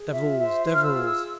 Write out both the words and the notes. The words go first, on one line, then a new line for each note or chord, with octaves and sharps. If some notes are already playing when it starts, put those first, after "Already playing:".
Devils! Devils!
Already playing: G#4
F4 E5
C5 E5
F4
F6
E6
G#4
E6